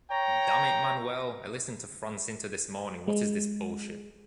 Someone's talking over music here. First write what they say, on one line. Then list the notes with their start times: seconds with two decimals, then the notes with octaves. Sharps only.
Damnit, Manuel, I listened to France Inter this morning, what is this bullshit?
0.11 C#5 G5 A#5
3.08 G#3